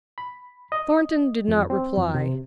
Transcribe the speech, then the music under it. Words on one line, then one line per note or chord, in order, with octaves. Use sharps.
Thornton did not reply.
B5
D#5
F2
C4
F2
C3